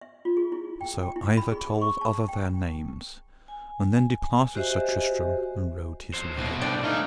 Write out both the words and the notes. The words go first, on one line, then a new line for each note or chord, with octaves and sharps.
And so either told other their names, and then departed Sir Tristram and rode his way.
E5
F4
G#4
E4
G5
G5
E4
B5
G#4
C#6
A5
G5
G#5
F#4 G4 C5 D#5 E5 G#5
F2 F#3 C5
C2 B2
A3 D4 G5
C3 E3 A3 D#4 F5